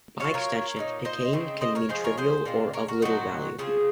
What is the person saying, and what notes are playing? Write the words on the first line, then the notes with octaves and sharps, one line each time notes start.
By extension, picayune can mean "trivial" or "of little value".
F#3 C#4 F4 C#5 F5
A#4 C#5
A#2 G#3 D#4
C5 D#5
C#3 G#3 C4 D#4
C5 D#5
A#4 C#5
F3 G#3 C#4 G#4 C5
A#4 C#5
G#4 C5
A#2 G#3 C4 F4
A#4 C#5
F#4 A#4
A#2 F#3 C4 D#4 F#4
C#3 F3 C4 F4 G#4